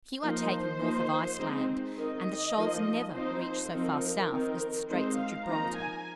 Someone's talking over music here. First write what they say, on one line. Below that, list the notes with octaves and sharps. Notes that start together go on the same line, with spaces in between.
Few are taken north of Iceland, and the shoals never reach so far south as the Straits of Gibraltar.
F3 A#3 D#4 C5
F3 A#3 D#4
G#3 C4 D#4
D#3 C4 D#4 D#5
F3 A#3 D#4
F3 C4 D#4 C5
F3 C4 D#4 A#4
D#3 C4 D#4
G#3 C4 D#4 C5
F5
F3 A#3 D#4 A#5
G#5